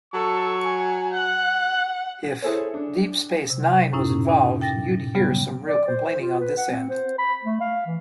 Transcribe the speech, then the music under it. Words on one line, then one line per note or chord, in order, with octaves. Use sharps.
If "Deep Space Nine" was involved, you'd hear some real complaining on this end.
F#3 A4 C#6
G#5
F#5 F#6
E4 G#4 A4 C5 C#5
D4
C3
F#2 A2 C#4 D#4 E4
D#4 E5
A#2 G5 A6 A#6
C#3 F#3 G3 B3
D5
C5
C5
F4
B4
F#5
C4
C5
B5
A3
F5
E3